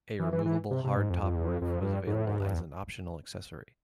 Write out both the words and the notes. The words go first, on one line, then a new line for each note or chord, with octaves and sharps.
A removable hardtop roof was available as an optional accessory.
E3
E3
E3
C3
C3
G#2
F2
F2
E2
F2
F2
G2
G#2
A2
G#2
G2
E2